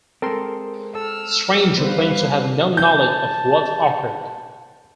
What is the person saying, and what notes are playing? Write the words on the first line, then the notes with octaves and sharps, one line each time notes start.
Strange who claims to have no knowledge of what occurred.
G#3 C4 A4 A#4 G5 C6
A4 E6 F6
G3 B3 B4 C5 F5
A5 G6